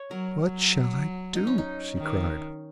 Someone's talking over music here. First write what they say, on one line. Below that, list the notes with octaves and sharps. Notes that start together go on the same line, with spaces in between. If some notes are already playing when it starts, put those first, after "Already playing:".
"What shall I do?" she cried.
Already playing: C#5
F#3 A#4
F#3
D#4
C#4
D#4
D#3